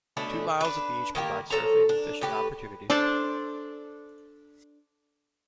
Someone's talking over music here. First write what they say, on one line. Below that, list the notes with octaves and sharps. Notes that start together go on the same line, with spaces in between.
Two miles of beach provide surfing and fishing opportunities.
B2 A3 C#4 D4
D4 B4
D#3 A#3 G4 A#4
F3 A4 C#5 A#5
D4
A2 G4 B4
D4 A4 C5 D5